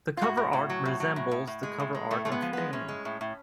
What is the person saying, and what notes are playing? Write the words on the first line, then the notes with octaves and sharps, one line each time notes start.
The cover art resembles the cover art of "Fame".
F4
A2 F#4
A2
A2
F#3
A2
F#3
A2
A2
A2
G#3
A2
G#3
A2 A3
G#3 A3
B3
F3
G#3 B3
A2 C#4
G#3
A2
A2